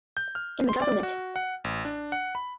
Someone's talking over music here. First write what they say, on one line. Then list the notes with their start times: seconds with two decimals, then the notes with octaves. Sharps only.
In the Govt.
0.17 G6
0.35 F6
0.69 C6
0.82 D5
1.03 F#4
1.36 F#5
1.64 A1
1.85 D4
2.12 F#5
2.35 B5